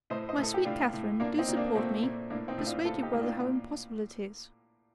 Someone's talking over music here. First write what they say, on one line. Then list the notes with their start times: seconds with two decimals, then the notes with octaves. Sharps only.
My sweet Catherine, do support me; persuade your brother how impossible it is.
0.10 A2 C5 D#5
0.29 C5 D#5
0.38 A2 A4
0.54 G4
0.65 A2 D4 F4
0.93 A2
1.20 A#2 A#3 D4
1.39 C4 D#4
1.48 A#2
1.57 A#3 D4
1.75 A#2 A3 C4
2.03 A#2
2.30 A2 A#3 D4
2.48 C4 D#4
2.58 A2
2.67 D4 F4
2.85 A2 F4 A4
3.03 D#4 G4
3.13 A2
3.21 D4 F4
3.40 A#2